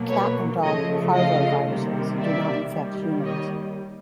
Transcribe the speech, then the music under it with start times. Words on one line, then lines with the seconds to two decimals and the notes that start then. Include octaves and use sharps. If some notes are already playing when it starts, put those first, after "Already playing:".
Cat and dog parvoviruses do not infect humans.
Already playing: B2 F#3 A#3
0.09 B4 C#5
0.62 C#3 F3 A3 C#5 D#5
1.15 D#5 F5
1.68 C3 D#3 G3 A#3
2.20 D5 E5
2.73 D#3 G3 A#3
3.25 C#5 D#5